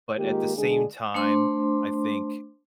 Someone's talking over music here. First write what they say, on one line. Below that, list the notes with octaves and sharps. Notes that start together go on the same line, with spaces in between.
But at the same time, I think
D#3 G#3 A#3 F4 G4 A#4
D3 G#3 D4 G#4
A3 D4 C5 C6 D6